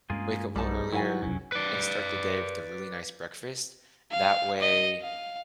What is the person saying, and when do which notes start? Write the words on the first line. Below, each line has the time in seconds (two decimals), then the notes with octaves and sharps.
wake up a little earlier and start the day with a really nice breakfast. That way
0.10 G2 G#3 A#3 C#4 F4 G#4
0.56 B1 G3 A3 B3 D#4 A5
0.92 D#3 F#3 E4 F#5 G#5
1.22 F1 B1 F#2 F#3 C#4
1.52 B4 D5
4.12 F5
4.61 D#5
5.02 F5